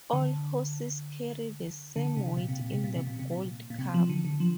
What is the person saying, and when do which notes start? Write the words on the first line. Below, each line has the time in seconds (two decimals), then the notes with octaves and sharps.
All horses carry the same weight in the Gold Cup.
0.13 D3
1.96 D3
2.17 C3
2.37 A#2
2.48 C3
2.60 A#2
2.72 C3
2.84 A#2
2.96 C3
3.07 A#2
3.19 C3
3.32 A#2
3.70 A#2
3.78 C3
3.94 F3
4.09 D3
4.25 D3
4.40 F3